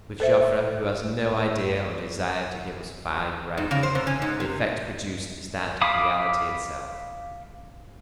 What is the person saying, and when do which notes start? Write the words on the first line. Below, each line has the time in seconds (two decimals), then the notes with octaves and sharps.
With Joffre who has no idea or desire to give us 'fine writing,' the effect produced is that of reality itself.
0.20 A4 C5 E5
3.57 G#2
3.71 C#3
3.83 C5
3.95 C3
4.07 C#4
4.22 G#2
4.40 C3
5.82 F5 B5 D6 D#6